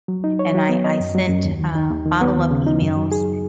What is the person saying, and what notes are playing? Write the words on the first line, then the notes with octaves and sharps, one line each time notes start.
and I I sent, uh, follow-up emails,
F#3
D#4
C#5
F#3
B3
D#5
F#2
F#3
F#2
D#2
D#3
D#4
D#2
D#3
B3
D#2
C#3
D#4
F#2
F#3
G#4